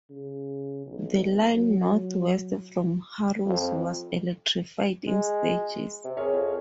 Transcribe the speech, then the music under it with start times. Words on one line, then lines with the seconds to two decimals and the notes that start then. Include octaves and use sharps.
The line north west from Harrow was electrified in stages.
0.10 C#3
0.86 B1
1.54 F#3
3.46 F2
5.07 G#3
6.04 C3
6.17 G#4 A#4 C#5
6.33 F2